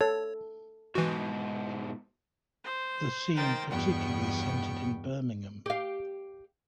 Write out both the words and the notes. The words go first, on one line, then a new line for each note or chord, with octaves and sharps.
The scene particularly centered in Birmingham.
A4 C#5
G#2 B2 E3 F#4
C5
D#3 A#4 C5 G5 A6
E2 G2 B2 B3 G5 C#6
G4 F5